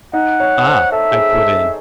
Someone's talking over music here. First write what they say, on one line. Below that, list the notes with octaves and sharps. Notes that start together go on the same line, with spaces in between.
"Ah!" I put in.
D#4 F#5
C#5
C5
A4 E5
G#4
A4